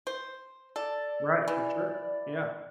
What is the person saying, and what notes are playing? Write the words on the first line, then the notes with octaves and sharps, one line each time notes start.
Right, for sure. Yeah.
C5
A4 D5
E3